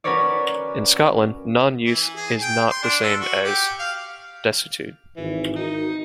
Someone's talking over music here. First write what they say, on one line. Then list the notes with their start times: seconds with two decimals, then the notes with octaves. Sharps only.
In Scotland, non-use is not the same as desuetude.
0.04 C#4 F#4 A#4 B4 C#5 D5
1.85 E3
2.16 G#4
2.42 G5
2.71 C6
2.83 D4
3.04 A4
3.21 F#4
3.45 G4
3.79 F5
5.17 G#1 E3
5.56 D#4 F#4 A#4